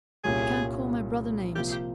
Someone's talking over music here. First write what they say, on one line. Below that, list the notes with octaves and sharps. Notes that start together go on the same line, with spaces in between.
"You can't call my brother names."
C2 A#2 G3 C#4 G#4
C3 F3 A#3 F4 G4
G4